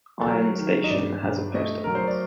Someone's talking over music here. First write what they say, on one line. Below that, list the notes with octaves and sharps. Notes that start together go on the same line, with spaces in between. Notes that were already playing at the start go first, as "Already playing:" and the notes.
Iron Station has a Post Office.
A4
F#3 A#4
D#3
D#5
G2 D5
G2
A3 D#5
F#3 A#4
C5
D5